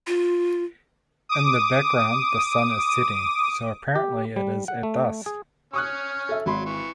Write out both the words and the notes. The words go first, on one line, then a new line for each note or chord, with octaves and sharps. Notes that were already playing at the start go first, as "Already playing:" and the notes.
In the background the sun is setting, so apparently it is at dusk.
F4
D6 D#6
G4
G3
F#5
A3
G#4
C#4 C#6 D#6 F6 F#6
A4 E5
G#1 F#3 B5 C6
E3 C#6